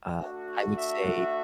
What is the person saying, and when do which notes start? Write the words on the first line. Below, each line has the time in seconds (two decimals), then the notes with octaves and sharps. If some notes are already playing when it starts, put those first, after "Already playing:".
uh, I would say
0.18 A3 D4 F#4
0.75 E5
1.04 E5